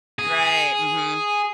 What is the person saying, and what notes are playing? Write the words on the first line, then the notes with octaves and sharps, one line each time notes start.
Right, mhm.
G#4